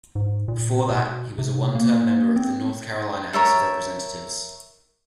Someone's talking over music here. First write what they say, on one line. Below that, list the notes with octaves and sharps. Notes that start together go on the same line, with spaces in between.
Before that, he was a one-term member of the North Carolina House of Representatives.
G#2
A#2
B2
C3
A#3
C4
A#4 C#5 E5 A5